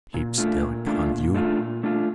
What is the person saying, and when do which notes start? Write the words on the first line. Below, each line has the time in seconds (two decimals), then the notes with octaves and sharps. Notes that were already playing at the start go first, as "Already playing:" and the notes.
"Keep still, can't you?"
0.14 A#2
0.38 A3 D4 F4
0.62 A#2
0.86 A3 D4 F4
1.11 A#2
1.35 A3 D4 F4
1.58 A#2
1.83 A3 D4 F4